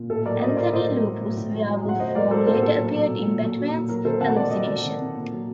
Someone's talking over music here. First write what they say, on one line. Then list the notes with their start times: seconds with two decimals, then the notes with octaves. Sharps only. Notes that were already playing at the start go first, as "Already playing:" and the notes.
Anthony Lupus' werewolf form later appeared in Batman's hallucination.
Already playing: A#2
0.10 A2 A4
0.25 F#3 A#4 D5
0.41 F#3 C5 D#5
0.57 A2 A#4 D5
0.73 A2 C5 D#5
0.89 F#3
1.05 F#3
1.21 A2
1.36 A2
1.52 F#3
1.68 F#3
1.84 A2 F#5
1.99 A2 C5 D#5
2.15 F#3 A#4 D5
2.31 F#3 A4 C5
2.46 A2 A4 C5
2.63 A#2 A4
2.78 F#3
2.95 F#3
3.10 A#2
3.26 A#2
3.41 F#3
3.57 F#3
3.73 A#2
3.89 F#3 A#4
4.05 D#3 A4 C5
4.21 C3 F#5 A5
4.36 C3 D5
4.50 F#3 D#5
4.64 D#3 A#4 D5
4.84 C3
5.00 C3
5.16 A#2
5.31 F#3